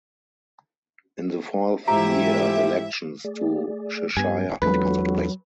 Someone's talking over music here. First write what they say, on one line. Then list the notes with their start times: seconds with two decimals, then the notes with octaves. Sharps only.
In the fourth year, elections to Cheshire County Council took place.
1.88 G#2 E3 F3 A3 E4 G4 E5 A#5
3.25 A3 G#4 D5
4.17 G2 B3 G4 G#5
4.62 E2 F#3 G#3 C4 D4 F4 A4 B4